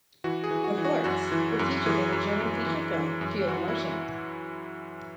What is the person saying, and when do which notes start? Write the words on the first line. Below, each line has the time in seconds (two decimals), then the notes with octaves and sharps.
The Flirts were featured in the German feature film "Feel the Motion".
0.24 E3 F#4
0.44 G#4
0.51 E3
0.64 F#4
0.78 E3
0.84 F#4
1.04 F#2 F#4
1.32 E3
1.59 F#2
1.86 E3 G#4
2.12 F#2
2.40 F#2
2.66 E3
2.94 E3
3.21 F#2
3.47 E3 F#4
3.68 E4